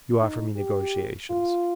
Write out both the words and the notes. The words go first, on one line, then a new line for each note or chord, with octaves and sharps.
You offer me negotiations!
D#4
G4
F4